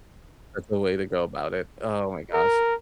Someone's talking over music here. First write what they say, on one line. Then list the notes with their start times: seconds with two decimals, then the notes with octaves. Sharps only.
that's the way to go about it. Oh my gosh.
2.33 A#4